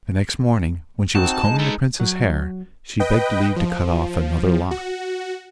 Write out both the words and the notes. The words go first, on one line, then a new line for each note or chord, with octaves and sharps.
The next morning, when she was combing the princess's hair, she begged leave to cut off another lock.
C4 D#4 F#4 A5
G#3 D#4
A4 B4
F#3
B4 D#5 G5
F3
F#4